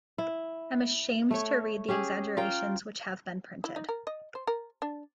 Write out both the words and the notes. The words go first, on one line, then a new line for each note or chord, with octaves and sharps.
I'm ashamed to read the exaggerations which have been printed.
E4
A3 C#5
C#4 G4 G#4
F4 A#4 G5
E4
D#4
A#4
D#5
C5
A#4
D4